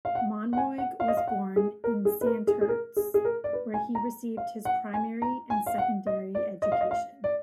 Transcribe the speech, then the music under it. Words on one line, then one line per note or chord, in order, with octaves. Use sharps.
Monroig was born in Santurce, where he received his primary and secondary education.
F5
F#5
F#5
G#5
F#5
F5
D#5
F5
F#5
G#4
A#4
G#4
B4
A#4
G#4
G#4
A#4
G#4
G#4
A#4
D5
B4
G#5
A#5
F5
F#5
G#5
A#5
G#5
F5
F#5
D#5
D5
D#5
F5
D#5
F5
D5